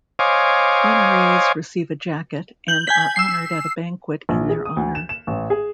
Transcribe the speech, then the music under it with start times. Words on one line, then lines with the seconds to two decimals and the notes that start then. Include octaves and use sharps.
Honorees receive a jacket, and are honored at a banquet in their honor.
0.19 C5 C#5 D#5 F5 G#5 D6
2.68 G6 F#7
2.87 G#5 G6 B6
3.16 E6 C7
4.29 A#1
4.49 G#4
4.65 D#6
4.77 D2
4.95 E7
5.09 E7
5.27 A1
5.50 G#4